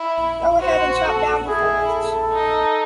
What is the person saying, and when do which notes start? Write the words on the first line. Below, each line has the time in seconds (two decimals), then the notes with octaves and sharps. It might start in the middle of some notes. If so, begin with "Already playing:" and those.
Go ahead and chop down your forests.
Already playing: E4
0.60 F#4 C5
1.04 A4
1.46 E4 G#4
1.90 A4
2.33 D#4